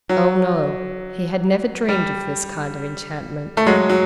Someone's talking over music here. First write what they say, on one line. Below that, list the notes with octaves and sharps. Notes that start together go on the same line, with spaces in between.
Oh no. He had never dreamed of this kind of enchantment.
F#3
G3
A3
F#3 G#3
F#3